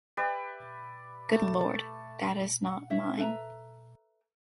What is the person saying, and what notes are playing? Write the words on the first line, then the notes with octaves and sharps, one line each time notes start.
Good Lord! That is not mine!
G4 B4 D5 E5
A3 A5
F#5
E4 C#5 E5
A4 B4 E5 A#5